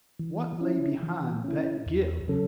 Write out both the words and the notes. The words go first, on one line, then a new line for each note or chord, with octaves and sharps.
What lay beyond that give?
E3
C#4 E4
E3
C#4 E4
E2
C#3 F#3 C#4 A4